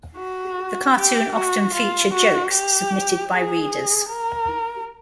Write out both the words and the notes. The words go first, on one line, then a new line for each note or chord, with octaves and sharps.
The cartoon often featured jokes submitted by readers.
F#4
G4
F#4
F4
F#4
G4
G#4
A#4